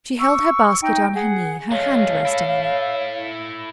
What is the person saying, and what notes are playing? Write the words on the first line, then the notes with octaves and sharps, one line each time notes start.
She held her basket on her knee, her hand resting on it.
C#6 E6
D#4 G5
G#4 F#5
G#3 A3 C#5 F5
E4 A4